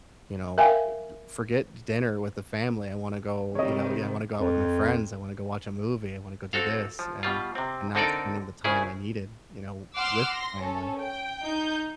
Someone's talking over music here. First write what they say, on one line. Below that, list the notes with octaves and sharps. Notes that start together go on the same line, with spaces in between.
you know, eh, j forget dinner with the family, I wanna go, you know, yeah, I wanna go out with my friends, I wanna go watch a movie, I wanna go do this, and and not spending the time I needed, you know, with family.
A#4 E5 F5 G5 G#5
C3 D#3 G3 C#5 D#5
F2
C4 F#4 A4 F5
F3
B2 G3 F4
C3 C4
D3 C4 D#4 A4 A#4 D5
A#1 C#3 E4 G#4
F#5 C6 D6 E6 F6 C7
C6 A#6
C#4 A4
G5
D#4 G6